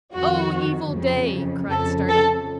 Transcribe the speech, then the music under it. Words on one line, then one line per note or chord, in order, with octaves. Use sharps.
"O evil day!" cried Starkey.
F2 D#3 F#4
F2 C#3
F2 C#3 A4
A4